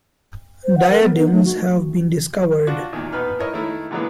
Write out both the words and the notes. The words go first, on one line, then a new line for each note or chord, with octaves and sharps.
Diadems have been discovered.
C5
F#5
A#4
B3
D#4
A3
F#4
D4 F4 F#4
E2 A#2 D#3
B2 B3 D#4 B4 F6
E4 A#4 C#5 D#5
D#3 A3 E4
D3 E3 F#3 G#3 A#3 B3